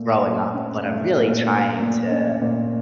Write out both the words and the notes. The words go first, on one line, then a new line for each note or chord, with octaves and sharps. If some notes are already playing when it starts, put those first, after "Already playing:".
growing up, but I'm really trying to
Already playing: A#2 A3
A4
C#4
A3
A#2
A3
A#2
C#4
A#2